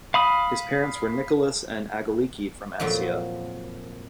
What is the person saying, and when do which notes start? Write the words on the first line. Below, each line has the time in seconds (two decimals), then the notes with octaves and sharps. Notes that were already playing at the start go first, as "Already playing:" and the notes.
His parents were Nicolas and Aggeliki from Assia.
0.14 F5 B5 D#6
2.80 F2 A#2 F3 F#3